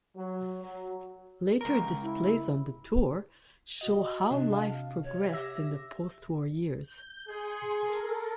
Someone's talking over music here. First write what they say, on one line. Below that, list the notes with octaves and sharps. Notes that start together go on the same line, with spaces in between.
Later displays on the tour show how life progressed in the postwar years.
F#3
F#3
C#2 A#4
E4
F#4 D#5
C3 D4
F5
C#5
G4 E5 E6 A#6
G6
G#4 G#5 C6 C#7
A4 A#4